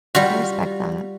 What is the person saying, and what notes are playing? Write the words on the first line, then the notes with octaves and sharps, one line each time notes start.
I respect that.
G3 F4 F#4